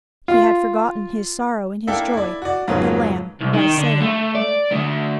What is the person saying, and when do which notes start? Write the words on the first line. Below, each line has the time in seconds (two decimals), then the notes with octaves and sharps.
He had forgotten his sorrow in his joy that the lamb was saved.
0.28 F4
1.87 A#3 D4 E4 A4 F5 G5
2.13 E4 D5
2.42 F#4 D5
2.68 F2 G#2 C#3 F#3 A#3 B3
3.40 C2
3.54 D#3
3.78 D3
4.01 A3
4.35 D5
4.71 D3 A3